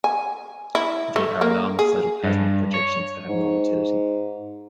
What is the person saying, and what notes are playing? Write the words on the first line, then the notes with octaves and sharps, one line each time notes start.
They are long cytoplasmic projections that have no motility.
G#5
E4
A3
A#3
G#4
G2
C#5
G#2